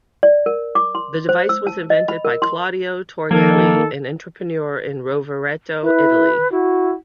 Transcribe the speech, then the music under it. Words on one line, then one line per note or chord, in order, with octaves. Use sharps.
The device was invented by Claudio Torghele, an entrepreneur in Rovereto, Italy.
D5
A#4
D6
C6
C5
E6
A5
D#5
B5
A#4
C6
D#3 F3 A#3 A4 G#6
E4 B4
E4 F#4